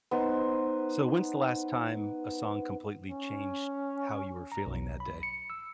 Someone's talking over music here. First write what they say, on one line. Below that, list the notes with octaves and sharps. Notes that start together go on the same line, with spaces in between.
So when's the last time a song completely changed how you were feeling that day?
B3 D#4 C5
C#4
A#5
B1
B5
C#7
E6